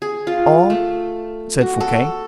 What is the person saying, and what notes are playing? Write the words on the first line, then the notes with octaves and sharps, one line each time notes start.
"All?" said Fouquet.
G#4
F4
A3
F#4
A4